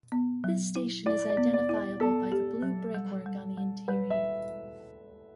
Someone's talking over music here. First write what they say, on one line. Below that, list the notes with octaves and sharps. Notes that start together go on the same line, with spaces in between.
This station is identifiable by the blue brickwork on the interior.
B3
F#3
E4
E4 D5
D5
B3
D5
E4
D5
B3 A4
G4
F#3
G3
G3
G3
G3 B4
E5